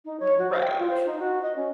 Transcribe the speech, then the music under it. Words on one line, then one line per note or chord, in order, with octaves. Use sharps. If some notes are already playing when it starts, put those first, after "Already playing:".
R right.
D#4
C#5
F#4
C5
G5
F4
C5
D#4
F#4
D#5
C#4